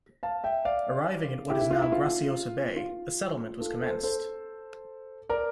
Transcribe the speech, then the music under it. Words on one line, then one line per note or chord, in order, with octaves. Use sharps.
Arriving at what is now Graciosa Bay, a settlement was commenced.
F5 A5
E5 G5
D5 F5
E4 G4
E4
F4
E4
F4
F4
F4 A4
A4 C5
A4 C5
A#4 D5